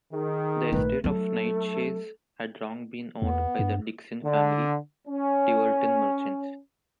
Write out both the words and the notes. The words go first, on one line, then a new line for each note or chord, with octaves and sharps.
The estate of Knightshayes had long been owned by the Dickinson family, Tiverton merchants.
D#3 G#4
A#1 A3 B4
F#3 A3 D4 A4
E2 B3
G2
D3
C#4